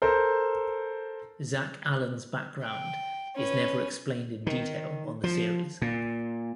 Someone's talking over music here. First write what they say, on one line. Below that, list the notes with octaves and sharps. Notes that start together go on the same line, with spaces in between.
Zack Allan's background is never explained in detail on the series.
A4 A#4 C5
G5
C#4 B4
D#3
F3
A#2